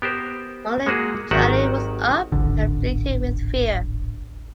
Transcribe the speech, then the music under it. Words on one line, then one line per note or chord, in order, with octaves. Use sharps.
Only Djali was up, and bleated with fear.
B3 G4 A#4 C5
G#3 A#3 F#4 G#4
G#1 D#3 F#3 F#4 G4 F#5
D1 G#1 D3